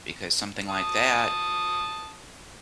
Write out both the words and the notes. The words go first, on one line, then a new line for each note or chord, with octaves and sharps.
because something like that.
A5 D#6